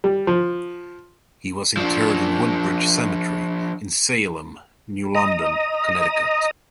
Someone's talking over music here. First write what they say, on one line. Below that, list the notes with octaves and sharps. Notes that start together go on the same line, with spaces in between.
He was interred in Woodbridge Cemetery, in Salem, New London, Connecticut.
G3
F3
F3 D4
D#5 A#5 D#6